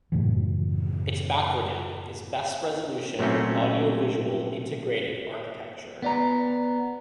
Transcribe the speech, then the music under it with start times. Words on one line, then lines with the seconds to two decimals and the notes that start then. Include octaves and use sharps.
Its backronym is "Best Resolution Audio Visual Integrated Architecture".
0.12 F#2 A2 C#3 E3
3.19 A#2 F#3 A3 C4 C#4
6.02 B3 D5 A#5